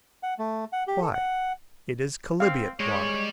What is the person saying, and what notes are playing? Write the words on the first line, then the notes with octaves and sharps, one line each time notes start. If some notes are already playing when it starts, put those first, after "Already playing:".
"Why, it is chalybeate water!"
F#5
A3
F#5
G4
A4
F#5
C4 F5
G3 G#3 C#5